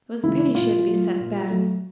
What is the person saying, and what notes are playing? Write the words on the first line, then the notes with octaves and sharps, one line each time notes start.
It was a pity she had to be sent back.
C#3 E3 G#3 E4
A#2 F4
F#3 A3
A#2
F#3 A3